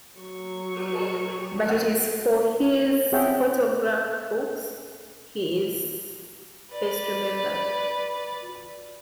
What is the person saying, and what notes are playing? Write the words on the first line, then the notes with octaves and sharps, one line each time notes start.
But it is for his photograph books he is best remembered.
F#3 C#6
C4 G#4 C#5 E5 F#5 G5
B4 D5